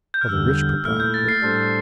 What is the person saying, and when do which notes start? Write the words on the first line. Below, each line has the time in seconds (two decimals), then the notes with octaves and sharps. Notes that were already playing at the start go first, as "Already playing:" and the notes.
For the rich proprietor.
0.14 G6
0.21 F6
0.29 E2 D3 G3 E6
0.85 A#2 A3 E4 F6
1.00 G6
1.14 A6
1.29 C7
1.42 A2 G3 D4 A4 C5